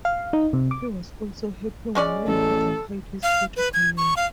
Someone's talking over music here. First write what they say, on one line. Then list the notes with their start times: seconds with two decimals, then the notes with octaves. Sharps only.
He was also helping Walenty to hide his photo camera.
0.05 F5
0.33 D#4
0.53 C3
0.71 D6
1.95 G#3 C#4 D5
2.27 A1 A4
3.23 F5
3.57 B4
3.74 G#6
3.97 C#6
4.17 F5